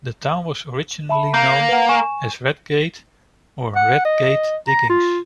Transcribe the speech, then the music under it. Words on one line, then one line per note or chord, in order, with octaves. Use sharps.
The town was originally known as Redgate, or Red Gate Diggings.
E5 A5 B5
A#3 G6
B4 F#5
G#5 C#6 E7
F#5
D#5
A#5
F4